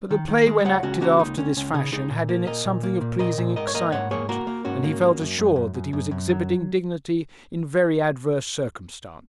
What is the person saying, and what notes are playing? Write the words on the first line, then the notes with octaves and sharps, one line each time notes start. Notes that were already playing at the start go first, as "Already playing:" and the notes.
But the play when acted after this fashion had in it something of pleasing excitement, and he felt assured that he was exhibiting dignity in very adverse circumstances.
D#3
D#3
G#3
C#2 C#5 F#5
C#2 C#4 F#4
A#3 C#4 F#4
C#2 D#4
C#2 C#4
C#2 C#4
C#3 D#4 G#4
C#2 D#4 G#4
A#2
A#3
A#2 A#4 D#5
A#2
A#3
A#2
A#2 A#4 D#5
A#2
G#2 A#4 D#5
C#5
A#3 A#4 D#5
G#2 C#5 F#5
A#3 G#4 C#5
A#3 F#4 A#4
A#3
G#2 C#4 F#4
A#3
A#3
F#2
F#2
F#2
F#2
F#2
F#2
F#3